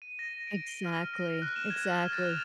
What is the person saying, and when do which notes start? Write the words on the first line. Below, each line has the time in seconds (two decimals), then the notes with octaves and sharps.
Exactly, exactly.
0.02 D#7
0.19 A#6
0.47 D7
0.68 G7
0.86 F6
1.14 A#6
1.42 F#6
1.56 E7
1.70 G#6
1.91 F6
2.13 A6
2.29 F7